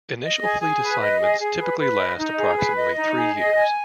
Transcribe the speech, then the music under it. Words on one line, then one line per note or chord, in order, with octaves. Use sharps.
Initial fleet assignments typically last approximately three years.
D#5
G#4
G#4
B4
D#5
G#4
G#4
B4
B4
D#5
D#4
G#4
B4
D#5
D#4
G#4
D#5
G#5